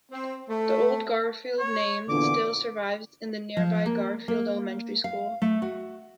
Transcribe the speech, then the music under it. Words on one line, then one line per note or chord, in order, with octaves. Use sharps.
The old "Garfield" name still survives in the nearby Garfield Elementary School.
C4
A3
C#5
E2 A#2 D3 D6
F3
A#3
A#3
F5
A3
F#4